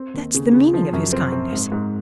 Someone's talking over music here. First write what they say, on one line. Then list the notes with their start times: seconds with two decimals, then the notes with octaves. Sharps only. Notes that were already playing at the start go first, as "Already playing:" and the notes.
That's the meaning of his kindness.
Already playing: C4
0.14 D#2
0.34 C#3
0.53 C#3
0.73 F3
0.93 F#2
1.13 C4
1.32 C4
1.53 G#2
1.72 G#2